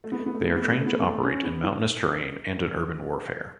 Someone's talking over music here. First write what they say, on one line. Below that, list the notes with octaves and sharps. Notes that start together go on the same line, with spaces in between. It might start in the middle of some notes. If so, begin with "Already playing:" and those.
They are trained to operate in mountainous terrain and in urban warfare.
A3
B3
A3
B3
A3
B3
A3
B3
A3
B3
A3
B3
A3
B3
A3
C#4
B3
D#4